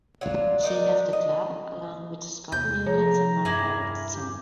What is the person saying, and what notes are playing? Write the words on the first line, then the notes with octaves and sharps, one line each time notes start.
He left the club along with Scott Newlands and Mark Robertson.
F#3 D4 F4
D4 D#4 A#4 D#5
D#5
E2 C3 G6
F3 G#4 C#5 A#5
E2 G2 A#3 E4 G#4 A#6
G4